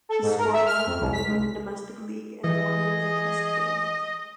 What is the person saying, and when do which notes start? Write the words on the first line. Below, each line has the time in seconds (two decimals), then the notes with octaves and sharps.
He scored one goal in the domestic league and one in the test game.
0.09 A4
0.22 G#2
0.38 A#4
0.53 E5
0.66 F6
0.86 F2
1.00 C2
1.13 B6
1.27 C#2
2.44 E3 G#4 D#5